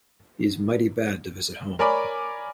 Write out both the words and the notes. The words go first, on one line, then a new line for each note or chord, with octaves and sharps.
He's mighty bad to visit home.
A#4 C#5 D5 G#5 B5 D6